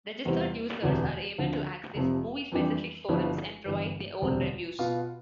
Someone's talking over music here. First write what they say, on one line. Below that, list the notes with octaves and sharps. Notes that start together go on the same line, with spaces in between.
Registered users are able to access movie-specific forums and provide their own reviews.
E2 C3 G3 C4 E4
E1 D2 C3 E3
D2 D3 F3 C4
F1 F2 C3 F3
F2 E3 G3 D4 G4
G1 G2 F3 B3 E4
G1 G2 E3 B3
E1 D2 C3 G3 C4
B2 B3 F4